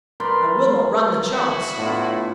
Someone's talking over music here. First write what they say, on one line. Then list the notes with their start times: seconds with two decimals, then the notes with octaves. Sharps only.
'I will not run the chance.
0.20 A#4 B4 D5 B5 C6
1.30 E4 F#4
1.77 A2 B3 D4 F4